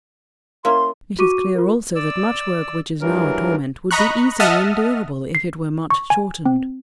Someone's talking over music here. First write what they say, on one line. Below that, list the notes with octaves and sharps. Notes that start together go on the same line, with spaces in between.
It is clear also that much work which is now a torment, would be easily endurable if it were much shortened.
A#3 C#4 E4 C6
F#4 C#6 D6 D#7
F4 A#4
D5 E6
G2 E3 F#3 A#4
D#5 A#5 B5 C#6 F#6
D#5 E5 F#5 A5 D#6 F6
C7
C#6
G#5
C4